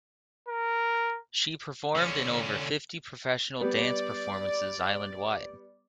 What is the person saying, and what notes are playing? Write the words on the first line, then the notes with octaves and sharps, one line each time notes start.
She performed in over fifty professional dance performances island wide.
A#4
D3 C#4
G3 B3 D5